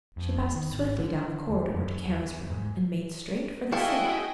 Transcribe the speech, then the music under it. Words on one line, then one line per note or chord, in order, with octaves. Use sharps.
She passed swiftly down the corridor to Kara's room and made straight for the safe.
F2
D#3
G#1
D3
E1
F#2
E2
G#2
E4 F#4 G#4 A4 D#5 F5 G5 A5